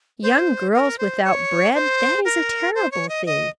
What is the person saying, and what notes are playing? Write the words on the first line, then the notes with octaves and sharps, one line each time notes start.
Young girls without bread--that is a terrible thing.
C5
A#4
C5
C#5
C5
A#4
C5
C#5
D#5
D#5